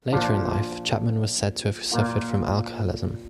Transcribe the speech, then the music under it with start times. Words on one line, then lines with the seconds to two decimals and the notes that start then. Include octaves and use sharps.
Later in life, Chapman was said to have suffered from alcoholism.
0.12 A#2 F3 D4 F4
1.92 A#2 A#3 F4